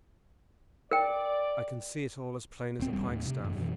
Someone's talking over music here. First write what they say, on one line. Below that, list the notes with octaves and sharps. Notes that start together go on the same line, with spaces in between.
I can see it all as plain as a pikestaff.
A#4 D5 G5
D#1 C4
E2 G3 C4
D#2 A2
C3
A1 F#2
F#2 B2 E3